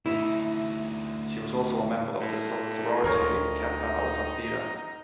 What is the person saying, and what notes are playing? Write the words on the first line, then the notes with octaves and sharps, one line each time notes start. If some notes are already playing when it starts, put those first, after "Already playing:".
She also was a member of the sorority Kappa Alpha Theta.
D2 D#4 E4
A2
D2 D#4 F4 A#4 C#5